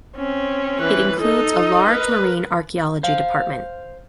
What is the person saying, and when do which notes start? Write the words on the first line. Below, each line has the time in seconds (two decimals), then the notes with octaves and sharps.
It includes a large marine archaeology department.
0.17 C4 C#4
0.79 E3 B4
1.20 D#4 A4 D#5
1.86 A#4 B4
3.03 C5 F5